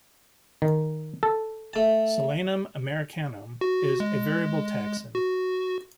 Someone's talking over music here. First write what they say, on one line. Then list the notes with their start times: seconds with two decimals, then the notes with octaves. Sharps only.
"Solanum americanum" is a variable taxon.
0.62 D#3
1.23 A4
1.73 A3 A5
3.61 F#4
4.00 G#3
5.15 F#4